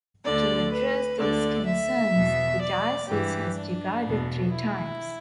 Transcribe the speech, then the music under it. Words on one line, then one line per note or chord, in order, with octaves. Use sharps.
To address these concerns, the diocese has divided three times.
D2 D3 D5
B4
D2 D3 D5
E5
E2 B2
D5
G2 E3 G4
D4
E2 B2
E4